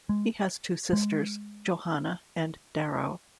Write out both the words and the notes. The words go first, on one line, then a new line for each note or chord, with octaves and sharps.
He has two sisters, Johanna and Darrow.
G#3
G#3